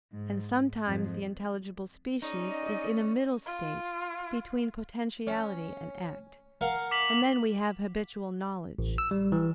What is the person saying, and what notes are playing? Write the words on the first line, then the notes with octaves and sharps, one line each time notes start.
And sometimes the intelligible species is in a middle state, between potentiality and act: and then we have habitual knowledge.
G#2
F2 G#2
C#4 D#4 G#4 D5 D#5
F4
C#4
A#4 F5 F#5
D6 B6 F#7
A1
E6
G3
E3